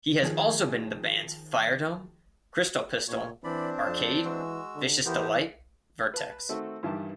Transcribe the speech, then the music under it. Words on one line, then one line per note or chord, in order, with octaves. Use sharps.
He has also been in the bands Firedome, Crystal Pystal, Arcade, Vicious Delite, Vertex.
D#3 F3 G#4 G#6
A#2 C#5
E3 C4 D4 D5 B5
F2 A5
E3 G#3 F#4 E6
D3
E3 B3 G4 A#4 C5
B4 A5
D#3 A3 C4 F#4 A4
G2 D#3 E3 G4 A5